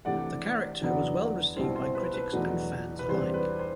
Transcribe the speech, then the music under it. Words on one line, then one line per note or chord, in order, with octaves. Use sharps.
The character was well received by critics and fans alike.
C3 E3 A3 D4 D5 F#5
E2 D3 F#3 B3 D4
C2 B2 G3 C4 C5
C5
B4
B4
E2 B2 F#3 A3 D4
B4
E2 C3 G3 D4 C5
B4
C5